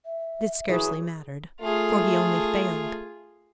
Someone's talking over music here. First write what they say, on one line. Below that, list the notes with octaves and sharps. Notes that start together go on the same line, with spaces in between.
But it scarcely mattered, for he only failed.
E5
E3 F#3 G#4
A3 F4 G#4